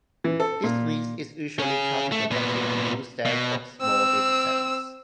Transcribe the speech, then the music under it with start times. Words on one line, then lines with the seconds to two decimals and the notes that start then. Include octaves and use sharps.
This means it's usually counter-productive to use them for small datasets.
0.24 E3
0.40 A4
0.64 A#2
1.59 C#4 G#4
2.12 A3
2.31 A#2 B3
3.26 B2
3.82 C4 E6